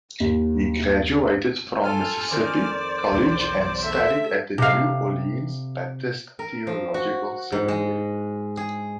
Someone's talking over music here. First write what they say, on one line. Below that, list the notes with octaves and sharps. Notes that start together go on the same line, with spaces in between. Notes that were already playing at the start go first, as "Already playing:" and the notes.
He graduated from Mississippi College and studied at the New Orleans Baptist Theological Seminary.
D#2
F4 A4 G#5 F6
F2 D#3 A#4 C5 D5
B1 E2
A3 E5
C3 F5
A#4
F3
F#4
G#2
G#3
G#4